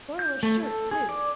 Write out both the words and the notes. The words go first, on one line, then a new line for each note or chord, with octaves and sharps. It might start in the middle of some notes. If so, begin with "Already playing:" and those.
"Borrow a shirt, too."
G6
A3
A4
G#4
D5